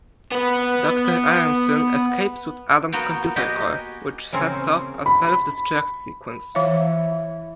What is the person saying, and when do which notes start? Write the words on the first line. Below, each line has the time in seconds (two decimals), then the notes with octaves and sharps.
Doctor Aaronson escapes with Adam's computer core, which sets off a self-destruct sequence.
0.32 B3 B4
2.92 A#3 B3 F#4 G5
3.36 F#4 G4 D#5 G5 G#5
4.33 C#3 A#3 C4 C#4
5.06 B5
6.55 E3 E4 C#5 F5